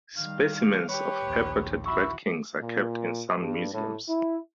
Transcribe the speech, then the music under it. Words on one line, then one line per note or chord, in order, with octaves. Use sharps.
Specimens of purported rat kings are kept in some museums.
D#3 G3 F5
G4 B4 C#5
A#1 D#2
E4 F#4 E5 B5 C#6
A#2
G2
A2
E4